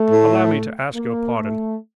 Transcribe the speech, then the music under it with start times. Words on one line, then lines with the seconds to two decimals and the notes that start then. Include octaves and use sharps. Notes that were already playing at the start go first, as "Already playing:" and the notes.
Allow me to ask your pardon.
Already playing: A3
0.10 A2
0.95 A#3
1.37 A3